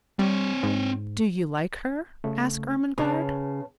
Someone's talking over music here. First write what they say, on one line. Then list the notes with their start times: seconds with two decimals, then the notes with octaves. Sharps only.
"Do you like her?" asked Ermengarde.
0.19 G3 C4 C#5
0.63 G#2
2.24 C#3 A3
2.98 C#3 B4 C#5 A5